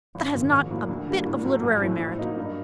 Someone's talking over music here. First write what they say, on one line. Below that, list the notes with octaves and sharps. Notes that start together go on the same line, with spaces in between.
That has not a bit of literary merit.
G#1
F#2 D#3
A#1
A2 F#3 A#3
D2
D3 G3 A#3
A2
F#3 A3
A#1
A2 E3 A3 C4
A2
F#3 A#3 D#4
G2